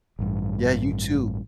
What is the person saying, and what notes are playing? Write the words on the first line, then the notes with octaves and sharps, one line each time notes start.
Yeah, you too.
A1 G2